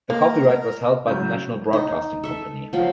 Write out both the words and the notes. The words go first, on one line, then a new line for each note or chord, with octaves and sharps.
The copyright was held by the National Broadcasting Company.
A#3 A#4
C#3 F#3 G6
D#4
A4 E5
F3 F#3 F4 B5